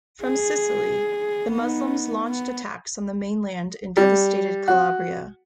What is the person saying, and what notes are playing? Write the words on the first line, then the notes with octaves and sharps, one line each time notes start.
From Sicily, the Muslims launched attacks on the mainland and devastated Calabria.
G#4
B3 D#4
B3
G3
F#4